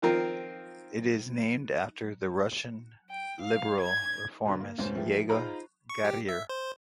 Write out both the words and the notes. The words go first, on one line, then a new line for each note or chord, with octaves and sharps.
It is named after the Russian liberal reformist Yegor Gaidar.
D#3 F3 C4 F4 A#4
G5
F5
G#6
B2 D3
A#3
F1 D2 G#2 C#4 C5
E3 F3 A3 G4 G#4
D#4 F4 G#4 C5 A#5 B5
C#6
G4
E5
C5